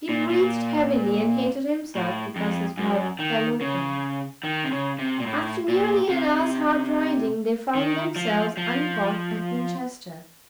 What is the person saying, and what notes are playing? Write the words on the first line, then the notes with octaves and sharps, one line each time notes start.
He breathed heavily, and hated himself because his mouth fell open, After nearly an hour's hard riding, they found themselves uncaught at Winchester.
A#2
A#2
A2
F2
F#2
D#3
C#3
D#3
C3
C#3
C3
A#2
A2
A#2
C3
D#3
F3
F3